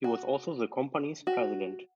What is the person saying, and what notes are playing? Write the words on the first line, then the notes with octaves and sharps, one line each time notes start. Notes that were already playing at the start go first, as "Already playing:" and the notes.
He was also the company's president.
F#4
F#4